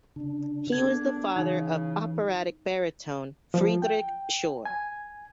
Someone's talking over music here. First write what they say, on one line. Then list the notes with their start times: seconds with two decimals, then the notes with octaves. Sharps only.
He was the father of operatic baritone Friedrich Schorr.
0.16 C#3 D4
0.72 B3 D4 A4 G#6
1.36 C#3 E3 D#4
3.54 F3
3.82 G5
4.65 G#5